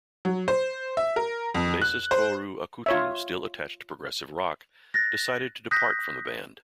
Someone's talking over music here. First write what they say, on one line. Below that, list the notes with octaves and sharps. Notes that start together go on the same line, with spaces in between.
Bassist Tohru Akutu, still attached to progressive rock, decided to depart from the band.
F#3
C5
E5
A#4
F2
F#6
C5
F4 C#5 E5
F#6 A6 A#6
D#6 F#6 G6 A#6 B6